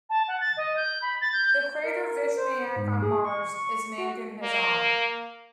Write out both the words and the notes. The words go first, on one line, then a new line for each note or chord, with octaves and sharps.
The crater Vishniac on Mars is named in his honor.
A5
F#5
A6
D#5
G6
B5
A6
G6
A#4
C5
G#2
G#4
C#6
C#6
F#4
A#3